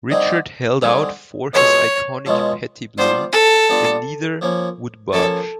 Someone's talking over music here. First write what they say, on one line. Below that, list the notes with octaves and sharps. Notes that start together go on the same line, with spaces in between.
Richard held out for his iconic Petty blue, and neither would budge.
D3 G3 C4 D#4 G#4
D3 G3 C4 D#4 G#4
B2 G#3 C#4 F4 A4 C#5
B2 G#3 C#4 F4 A4
G3 B3 D4 F4 C5
A4
G3 B3 D4 F4
F3 A#3 C#4
F3 A#3 C#4 A4